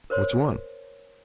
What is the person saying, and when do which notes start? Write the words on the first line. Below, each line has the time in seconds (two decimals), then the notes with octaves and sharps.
"Which one?"
0.10 A#4 C5 C#5 C6